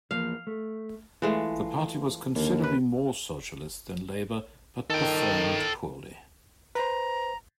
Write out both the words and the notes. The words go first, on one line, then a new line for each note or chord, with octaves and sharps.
The party was considerably more socialist than Labour, but performed poorly.
E2 F3 A#3 F5
A3
E3 G#3 A3 F4
D#2 D3 A#3
B4
D#3 A4 G5
B4 C5 A#5